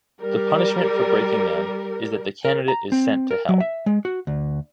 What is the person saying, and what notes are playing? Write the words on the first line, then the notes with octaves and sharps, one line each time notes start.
The punishment for breaking them is that the candidate is sent to Hell.
G3 A#4
A#4
A#5
C4
A#4
F#3
E5
G#3
F#4
D2